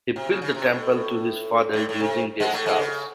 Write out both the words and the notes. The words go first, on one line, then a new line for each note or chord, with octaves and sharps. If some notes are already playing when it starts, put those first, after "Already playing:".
He built a temple to his father using their skulls.
C3
C#3
C#3
C3
A2
A2
A2
C3
G#2 G#3
A2 A3
G#2 G#3
C#3